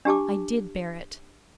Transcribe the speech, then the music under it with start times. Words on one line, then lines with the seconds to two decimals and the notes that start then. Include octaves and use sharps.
I did bear it.
0.05 D4 G4 A5 D6